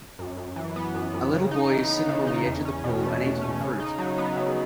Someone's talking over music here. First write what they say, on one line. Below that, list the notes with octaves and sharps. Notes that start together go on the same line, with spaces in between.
A little boy is sitting on the edge of the pool and eating a fruit.
F#2
F#2
E3
B3
F#2
F#2
C#3
D#4
E3
B3
C#3
D#4
E2
C#4
B2
A3
E2
C#4
C#3
D#4
F#3
B3
C#3